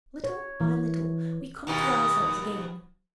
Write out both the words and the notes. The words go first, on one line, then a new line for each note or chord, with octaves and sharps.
Little by little we come to ourselves again.
C#5
E3
D#2 B2 D#4